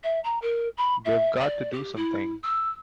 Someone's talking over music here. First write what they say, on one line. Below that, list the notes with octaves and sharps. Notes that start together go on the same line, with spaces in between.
We've got to do something!
E5
A#5
A#4
B5
E5
D5
G4
E4
E6